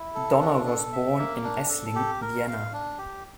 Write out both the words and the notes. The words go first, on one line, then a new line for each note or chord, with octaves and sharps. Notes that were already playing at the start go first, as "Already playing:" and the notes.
Donner was born in Essling, Vienna.
Already playing: E4
A4
D4
A4
E5
A#3
D4
A4
G4
A#4
F5
D4
G4